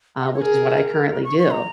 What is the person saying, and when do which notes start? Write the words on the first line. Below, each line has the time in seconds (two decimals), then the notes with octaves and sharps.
uh, which is what I currently do.
0.20 F#5
0.27 D#5
0.34 C#5
0.41 G#4 A#4
1.24 C#6
1.39 C#6
1.52 A#5